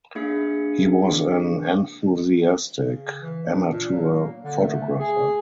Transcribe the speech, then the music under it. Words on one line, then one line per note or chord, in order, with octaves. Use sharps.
He was an enthusiastic amateur photographer.
A#3 D4 G#4 F5 C#7
C#3
E3
D4
A#2
F#3
A#3
D3
A3
G#4